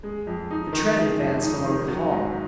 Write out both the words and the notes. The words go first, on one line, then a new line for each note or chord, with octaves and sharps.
The tread advanced along the hall.
G#3
F2
D#4
D#3
G#3
F2
D#4
D#3
F#3
G#2